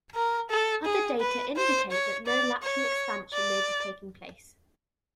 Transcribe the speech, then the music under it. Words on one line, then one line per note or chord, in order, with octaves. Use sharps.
Other data indicate that no lateral expansion may be taking place.
A#4
A4
G#4
B4
C5
C#5
D5
C#5
D5